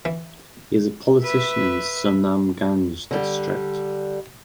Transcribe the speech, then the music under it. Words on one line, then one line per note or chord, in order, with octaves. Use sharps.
He is Politician in Sunamganj District.
E3
B4 E5
D3 G3